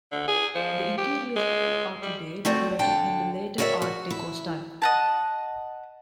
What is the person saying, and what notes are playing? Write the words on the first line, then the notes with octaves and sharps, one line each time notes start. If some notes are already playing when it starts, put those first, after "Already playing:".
The interiors are today decorated in the later Art Deco style.
D3
G#4
F3
G4
G#3
G3
A3 C4 F#4 D5
D3 G5 A5
F#4 G#4 A#4 C#5 D5 E5
F#4
E4
D#5 F#5 A5